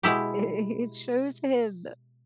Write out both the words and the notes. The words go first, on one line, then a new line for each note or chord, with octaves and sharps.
it it shows him
B2 G#3 E4 G4